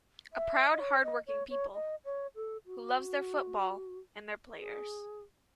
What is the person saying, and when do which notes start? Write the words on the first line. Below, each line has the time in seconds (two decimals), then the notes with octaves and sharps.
A proud, hard-working people, who loves their football, and their players.
0.33 E5
0.73 D#5
0.80 C#5
1.04 D#5
1.27 C#5
1.50 C#5
1.74 D#5
2.05 C#5
2.36 A4
2.67 F#4
4.55 G#4